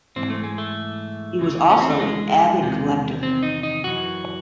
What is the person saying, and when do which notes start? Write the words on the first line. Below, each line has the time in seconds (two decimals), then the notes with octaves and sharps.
He was also an avid collector.
0.16 G#2 E3 C4
0.30 A3
0.44 G#3
0.58 A3
1.39 E2 C#3 E3
1.70 C#4
1.80 C4
1.90 A3
2.00 G#3
2.61 E2 C3 D#3
3.23 C4
3.43 D#4
3.63 D#4
3.84 F#2 E3 F#4